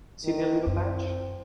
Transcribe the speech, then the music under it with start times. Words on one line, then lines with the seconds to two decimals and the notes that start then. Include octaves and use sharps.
See that little patch?
0.24 D#3
0.66 F#2 C4